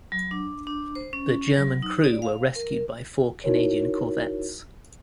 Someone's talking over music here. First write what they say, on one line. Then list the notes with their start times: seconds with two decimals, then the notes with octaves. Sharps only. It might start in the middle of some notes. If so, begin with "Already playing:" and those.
The German crew were rescued by four Canadian corvettes.
0.12 F#3
0.31 D4
0.67 D4
0.95 C5
1.13 C#4
1.56 F#3
1.82 D#4
2.04 D5
2.22 F5
2.55 A#4
3.44 D#4 E4 F#4 A#4 C#5